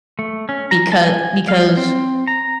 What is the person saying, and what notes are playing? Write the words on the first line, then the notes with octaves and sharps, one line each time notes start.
becau because
A3
C#4
A#5
A5
G#5
F5
C4
A#5